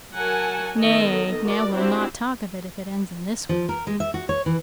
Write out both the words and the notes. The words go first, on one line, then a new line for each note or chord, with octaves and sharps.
Nay, now we'll not talk of it, if it ends in this way.
F#3 A#4 F#5 G#5 A5
D#3 B3 A4 D#5
F#4 A#4 D5
C4 D4 E4 F#4 G4 C5
F3
A#4
G#3
E5
F#4
C#5
E3